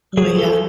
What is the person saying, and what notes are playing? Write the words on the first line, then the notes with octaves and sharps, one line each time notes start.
Oh yeah.
F#3 G#4
A4